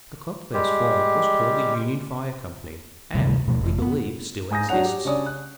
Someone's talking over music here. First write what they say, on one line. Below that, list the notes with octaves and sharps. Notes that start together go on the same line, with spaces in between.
The club first formed was called the UNION FIRE COMPANY, and, we believe, still exists.
G3 G#3 G4
D2 C3 D#3 G3
B2 F3 A3
F1
A#3 B3
G#2 G#5 D#6 G6 A#6
F#3 D4 C#5 F#5 F7
G4
C#3 D4 C#5 D5 G#5 D#6
F#6